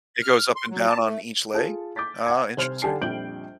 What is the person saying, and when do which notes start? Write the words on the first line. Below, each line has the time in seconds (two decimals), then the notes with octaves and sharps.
It goes up and down on each leg? Ah, interesting.
0.23 F6
0.56 C6
0.70 F#3
0.88 A5
1.03 A3
1.54 F4 G#4 A4
1.96 D6 G6 A6 B6
2.27 F#5 G#6
2.57 C2 C5 F6
2.82 D3 D4 G4 G#5 A5 C7
3.01 A#1 F2 G3 G6 D7 F#7